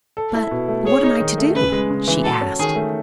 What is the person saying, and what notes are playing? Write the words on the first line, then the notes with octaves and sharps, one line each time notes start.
"But what am I to do?" she asked.
A4
E4
B2
A3
G#4 C#5
D#4
D#3
A3
C#3 B4
G#3
C#3
E3
F#4 A4
C#4
D#3 G#4
A3